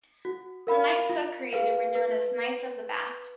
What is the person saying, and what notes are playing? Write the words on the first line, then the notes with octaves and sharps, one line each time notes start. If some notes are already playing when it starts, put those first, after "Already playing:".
The knights so created were known as "Knights of the Bath".
F#4
A#4 F5 B5
F4
G#4 B4 F5
B4